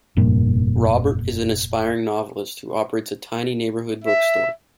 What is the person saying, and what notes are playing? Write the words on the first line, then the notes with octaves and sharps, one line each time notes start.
Robert is an aspiring novelist who operates a tiny neighborhood bookstore.
F1 G2 A#2
E5